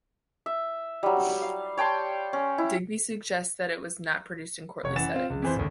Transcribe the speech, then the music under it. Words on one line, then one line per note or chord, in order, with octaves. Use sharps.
Digby suggests that it was not produced in courtly settings.
E5
F#3 G3
F5
C#5 G5 A5 C6
C#4
E4
F1 C#5
F#2 E3 F#5 A6 E7
C4 F4
C#2
F2 E3 C5
G#1 D2